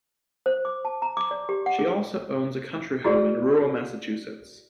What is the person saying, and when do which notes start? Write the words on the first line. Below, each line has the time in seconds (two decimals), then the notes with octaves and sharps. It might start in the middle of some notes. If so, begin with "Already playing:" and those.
She also owns a country home in rural Massachusetts.
0.46 C5
0.65 D6
0.85 A5
1.02 A#5
1.17 D6
1.31 D5
1.49 G4
1.66 F#5
1.79 G#4
3.05 E4 F#4 G#4 D5